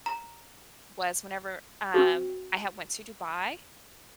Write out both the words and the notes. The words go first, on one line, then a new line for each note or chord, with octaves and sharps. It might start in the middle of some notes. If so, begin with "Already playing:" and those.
was whenever um, I had went to Dubai,
A#5
C4 F#4